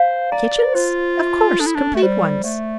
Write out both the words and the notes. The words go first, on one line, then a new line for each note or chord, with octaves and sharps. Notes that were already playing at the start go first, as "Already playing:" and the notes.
"Kitchens?--of course--complete ones."
Already playing: C5 F5
D5 A#5
F4 C5
E5
D4 A4
E4
D4
A3
G3 C5
A3 D5